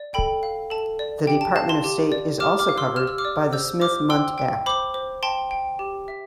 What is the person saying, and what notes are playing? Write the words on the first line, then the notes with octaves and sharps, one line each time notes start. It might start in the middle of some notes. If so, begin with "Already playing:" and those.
The Department of State is also covered by the Smith-Mundt Act.
Already playing: D5
A4 G5 B5
F5
A4 A5
D5
G4 G5
A5
F5 A5
A5 C6
G4
D5
G4 D6 F6
D6 F6
F5
C6 E6
G4 F6
E6
D6 F6
D5
C5 E6 G6
C5 D6 F6
G5 C6 E6
G5
C5 B5 D6
C5
G5 A5 C6
G5
G4
E5